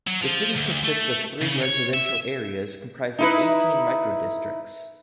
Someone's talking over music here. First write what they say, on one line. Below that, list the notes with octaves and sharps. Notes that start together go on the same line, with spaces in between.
The city consists of three residential areas comprising eighteen microdistricts.
F#3
F3
D2
A3
C#3
C#5
E5
D#4 E4 B4